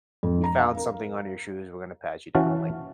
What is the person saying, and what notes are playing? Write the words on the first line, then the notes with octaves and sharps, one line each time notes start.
we found something on your shoes, we're gonna pat you down," like
F2
A#5
F5
A#4
E3 C#4 F#4 F5 A5